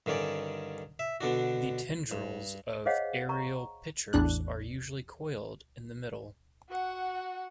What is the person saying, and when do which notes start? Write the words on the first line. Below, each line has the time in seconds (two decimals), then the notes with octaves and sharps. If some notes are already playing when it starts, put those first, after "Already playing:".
The tendrils of aerial pitchers are usually coiled in the middle.
0.06 G2 D3 D#3 C#4 D5
0.99 E5
1.21 B2 D3 D4 F#4
2.11 G2
2.86 G#4 C5 C#5 D#5 F5 F#5
3.29 A#5 C#6
4.13 A1 E2 D4 F#6
6.70 F#4 F#5